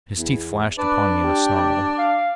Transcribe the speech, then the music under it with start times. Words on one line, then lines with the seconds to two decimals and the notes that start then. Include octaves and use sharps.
His teeth flashed upon me in a snarl.
0.15 E2
0.78 D4 B4
1.24 G4
1.98 F5